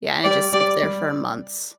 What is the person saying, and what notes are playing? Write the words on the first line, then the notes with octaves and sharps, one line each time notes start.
Yeah, and it just sits there for months.
G3 G4 D5
G3 G4 D5
G3 G4